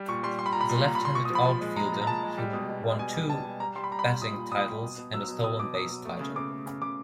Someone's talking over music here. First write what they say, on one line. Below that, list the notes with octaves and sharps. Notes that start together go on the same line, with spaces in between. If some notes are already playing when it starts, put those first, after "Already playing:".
As a left-handed outfielder, he won two batting titles and a stolen base title.
Already playing: G3
A#2 C#6
G3 C6
G3 C6
B5
A#2 A#5
B5
A#2
A#2 A#5
B5
A#2
C6
A#2 C#6
D#6
F3
B5
F3
G#3
A#2 A#5
A#2
A#5
A#2 A5
G#3
G3
B2
B2
G3
B2 G#5
G3
G3 A5
G3
G3 A#5
G3 C6
B5
G3 A#5
B5
G3
A#2 D#6
A#2
G3 D#6
G3
B2
B2
F#3 E6
B2
B2 D#6
B2 D6
F#3 D#6
B2
A3
C#3
C#3 D6
A3
C#3
C#3 D6